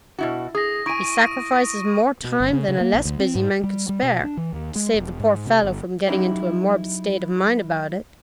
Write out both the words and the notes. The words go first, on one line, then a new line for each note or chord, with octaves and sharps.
He sacrifices more time than a less busy man could spare, to save the poor fellow from getting into a morbid state of mind about it.
B2 E4 F#4
G#4 D#6 A#6
E4 G#5 C#6 D7 D#7
B2
G1
C#3
C#3
A#3
A#1
D2
C4
G#2
G3
G3
B2
D4
E3
D#2
G#3
E1
G#2
C3
G1
F#3 C#4 D#4 E4 G4